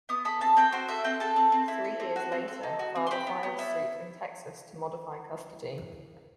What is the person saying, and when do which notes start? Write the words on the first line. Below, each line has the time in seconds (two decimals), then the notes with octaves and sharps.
Three years later father files suit in Texas to modify custody.
0.09 B3 D#6
0.25 A4 B5
0.41 C4 A5
0.57 C4 G5
0.72 F#4 C5
0.88 A4 E5
1.04 C4 G5
1.20 A4 A5
1.36 C4
1.52 C4
1.68 E4
1.84 A4
2.00 C4
2.16 F#4
2.32 C4
2.48 A4
2.63 D#4
2.79 F#4
2.95 C4
3.07 C6
3.11 G4 B5
3.27 B3
3.43 B3
3.59 E4